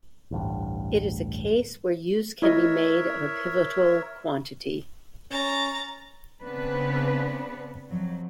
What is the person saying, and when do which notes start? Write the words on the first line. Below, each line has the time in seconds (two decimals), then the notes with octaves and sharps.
It is a case where use can be made of a pivotal quantity.
0.31 A1 D2 G2
2.42 E4 A#4 C#5 D#5 E5
5.31 C#4 A#5 A6
6.43 C#3 B3 C4 D4 B4
7.88 F2 F#3